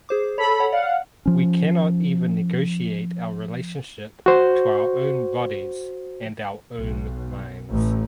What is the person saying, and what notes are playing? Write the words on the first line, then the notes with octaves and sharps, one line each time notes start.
We cannot even negotiate our relationship to our own bodies and our own minds.
G#4 C5 D6
A4 C#5 B5
C#5 F#5
D5 F5 F#5
F3 C#4
F#4 C5
B1
A1